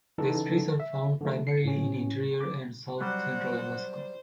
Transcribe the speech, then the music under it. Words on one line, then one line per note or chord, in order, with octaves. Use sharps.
These trees are found primarily in interior and south central Alaska.
C#3 E3 D#4 A4
E5
D3 F3 A3
C7 C#7
A2 C#4
D6
F#3 G3 C4 C5 D5 F#5